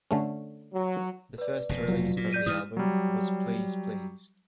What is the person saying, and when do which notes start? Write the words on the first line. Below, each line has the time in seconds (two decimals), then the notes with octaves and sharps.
The first release from the album was "Please Please".
0.11 D3 A3 C#4
0.71 F#3
1.38 B4 D5
1.69 F1 B2
1.88 F#3 F4
2.17 A#2
2.33 D5 G6 D#7
2.46 G#2 E3 D#6 F6 D#7
2.77 F#3 G3